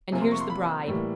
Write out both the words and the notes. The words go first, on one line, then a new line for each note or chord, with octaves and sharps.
And here's the Bride!
C3 F3 A#3 G#5
C6
C#6
C6
B5
A2 E3 G3 A#3